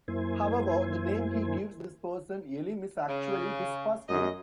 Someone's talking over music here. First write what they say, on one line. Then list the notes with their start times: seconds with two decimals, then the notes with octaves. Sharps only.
However, the name he gives this person, "Elim", is actually his first name.
0.08 F#2 A#3 E4 C5 G#5
3.08 C#3
4.09 F#2 D#5